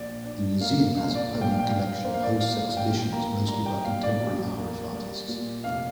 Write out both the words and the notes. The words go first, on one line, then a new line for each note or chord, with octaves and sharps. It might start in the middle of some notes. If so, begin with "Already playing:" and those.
The museum has a permanent collection and hosts exhibitions, mostly by contemporary Irish artists.
Already playing: A#1 D5
D4
A#3 F5
A#2 F5
D5
A#1 F5
G5
F5
G5
D4 F5
A#3 C5
F5
D5
A#2 F5
F5
A#1 G5
F5
G5
A#3 A#5
G3 A#5
G5
A#2 F5
D5
A#1
A#3
G3
A#2
F1 F5